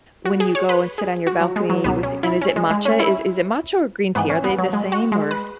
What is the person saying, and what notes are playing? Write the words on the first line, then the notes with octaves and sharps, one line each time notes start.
when you go and sit on your balcony with and is it matcha, is is it matcha or green tea, are they the same, or
F#4
G#4
C#5
B4
G#4
F#4
F#3
G#3
F#3
C#2 B2 F#3 B3
C#4
E4
C#4
G#3
G#3
C#4
E4
G#2 E3 B3
C#4
B3
F#3
G#3
F#4
G#3
B4